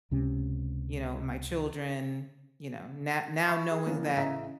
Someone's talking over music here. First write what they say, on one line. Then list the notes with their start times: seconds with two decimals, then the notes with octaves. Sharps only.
you know, my children, you know, no now knowing that
0.11 C#2 C3 C#4
3.47 E5 B5 C#6
3.71 G#4
3.86 E3 F3 A#3 B3 C#4
4.16 A1 C#3 D#5 E5 A#5 B6